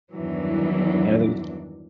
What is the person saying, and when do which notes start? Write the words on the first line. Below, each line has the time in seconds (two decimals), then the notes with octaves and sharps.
and it's
0.13 E2 G2 D#3 E3 F#3 D4